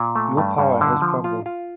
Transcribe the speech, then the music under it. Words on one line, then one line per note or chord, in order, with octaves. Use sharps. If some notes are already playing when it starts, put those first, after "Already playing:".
Your power has crumbled.
Already playing: A#2
A3
G2
G2
D3
F3
F4
F4